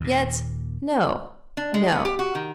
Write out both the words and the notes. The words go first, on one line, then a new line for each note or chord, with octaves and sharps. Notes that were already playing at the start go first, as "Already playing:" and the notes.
Yet, no! No.
D#2 A#2
D4
G#3
B3
G4
F#4
D#3